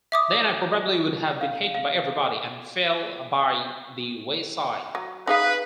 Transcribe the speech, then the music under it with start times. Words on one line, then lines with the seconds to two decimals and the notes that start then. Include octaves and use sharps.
Then I probably would have been hated by everybody and fell by the wayside.
0.12 E5 D6 D#6
1.41 F5
1.75 F5
4.95 F#3
5.27 D#4 G#4 B4 F5